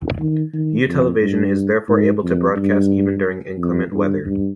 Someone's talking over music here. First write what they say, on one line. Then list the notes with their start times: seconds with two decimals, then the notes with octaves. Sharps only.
U television is therefore able to broadcast even during inclement weather.
0.19 D#3
0.54 D#3
0.87 F2
1.21 G2
1.89 G#2
2.23 F2
2.56 G2
3.58 F2
3.92 G2
4.25 G2